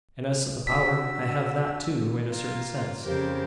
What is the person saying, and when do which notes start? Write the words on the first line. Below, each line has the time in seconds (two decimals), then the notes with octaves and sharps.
And as to the power, I have that, too, in a certain sense.
0.67 D4 F#4 E6 B6
2.28 A#3 F4
3.04 F2 C#3 G4 A#4 C5